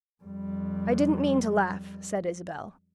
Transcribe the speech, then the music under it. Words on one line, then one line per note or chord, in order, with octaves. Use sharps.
"I didn't mean to laugh," said Isabel.
F2 G3